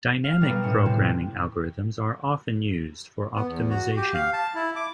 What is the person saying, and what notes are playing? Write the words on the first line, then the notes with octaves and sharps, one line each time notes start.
Dynamic programming algorithms are often used for optimization.
F5
B2 G3 B3 G#4 A#4 B4
A2 C#4 E7
C3 C4
B3
E2
F#4
G4
F5
A5
E4
D6